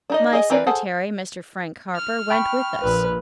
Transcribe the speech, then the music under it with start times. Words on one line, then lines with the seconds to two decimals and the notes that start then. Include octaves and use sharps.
My secretary, Mr. Frank Harper, went with us.
0.10 D4 D#4 D#5
0.33 G#4 D#5 G#5
0.50 E3 C4 A#4 B4 D5
0.67 G#4 A4 C5 F#5
1.95 F6
2.30 G5 B5 C#6
2.82 A#1 A#2 B4